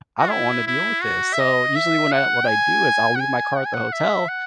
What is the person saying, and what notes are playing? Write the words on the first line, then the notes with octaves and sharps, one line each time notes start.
"I don't wanna deal with this." So, usually when I what I do is I'll leave my car at the hotel,
F#4
E4
E4
F#4
E5
D#5
E5
F#5
G#5
F#5
G#5
F#5
G#5
F#5
E5
F#5